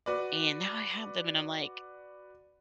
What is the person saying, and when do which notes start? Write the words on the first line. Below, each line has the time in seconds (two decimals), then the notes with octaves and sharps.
and now I have them, and I'm like,
0.06 F#4 B4 D5